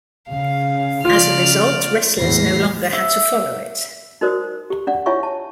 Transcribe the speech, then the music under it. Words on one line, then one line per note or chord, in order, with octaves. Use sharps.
As a result, wrestlers no longer had to follow it.
C#3 F5
C#3 F3 F4 D5 F6
E2 A2 A#6 C7
E5
D#4 F#4 A#4 C5 D5 D#6
G4
D4 D5 F#5
E4 F4 C#5 E5 G#5 C#6
A5